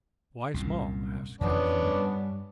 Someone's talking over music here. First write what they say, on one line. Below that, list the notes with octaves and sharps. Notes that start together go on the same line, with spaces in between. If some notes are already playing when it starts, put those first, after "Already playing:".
"Why small?" asked Kenneth.
C2 F#2 A#2
F2 E3 F3 B3 C#4 D4
G2 G3